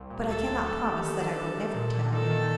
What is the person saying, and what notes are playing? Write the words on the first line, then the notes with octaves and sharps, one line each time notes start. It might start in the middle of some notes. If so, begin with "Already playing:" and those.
"But I cannot promise that I will never tell him."
Already playing: C2
A#2
D2 A4
F#3
A3 A4
G4
D#3 A4
D4
G3
D#3
A#2
A#2
D#3 A4
D#3